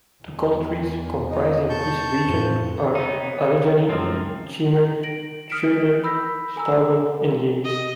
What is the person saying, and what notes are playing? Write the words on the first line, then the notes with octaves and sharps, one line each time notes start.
The counties comprising this region are Allegany, Chemung, Schuyler, Steuben, and Yates.
E2
D#4
A5 C#6 G6
F2 A2
B3 D#4 C#5
C#2 F#2 F3 C4
A#6 D7 F#7
D#6 F6 B6 C#7 D7 E7
B5 E6 G6 A#6 B6
A4 G#5 A#5 E6
D#5